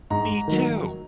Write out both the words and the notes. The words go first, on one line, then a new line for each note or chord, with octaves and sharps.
Me too.
G#2 A#5
D#3 F#3